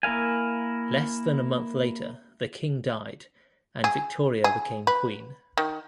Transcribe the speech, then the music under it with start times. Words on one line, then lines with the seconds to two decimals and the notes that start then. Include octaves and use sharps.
Less than a month later the King died and Victoria became Queen.
0.03 A#3 E4 A#4 F5 G#5
3.84 G#4
4.44 G#4
4.87 B4
5.58 D#3